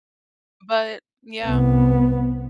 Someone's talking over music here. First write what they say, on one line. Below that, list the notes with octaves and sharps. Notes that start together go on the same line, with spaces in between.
But yeah.
C2 B3